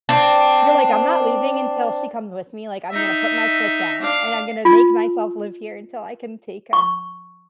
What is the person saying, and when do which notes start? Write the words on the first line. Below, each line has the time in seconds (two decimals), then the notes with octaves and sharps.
You're like, "I'm not leaving until she comes with me," like, "I'm gonna put my foot down and I'm gonna make myself live here until I can take her."
0.09 C4 D4
2.91 D#4 E5
4.01 D4 F5
4.65 F4
6.73 C#6